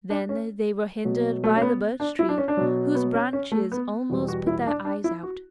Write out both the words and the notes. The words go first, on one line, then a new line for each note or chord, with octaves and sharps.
Then they were hindered by the birch-trees, whose branches almost put their eyes out.
D4
C#4
B2 F#3
A3
C#4
B3
D4
E4
D4
C#4
D4
B2 F#3
B3
C#4
C#4
A3
B3
E2 B2 G3
F#4
E4
D4
D4
E4
F#4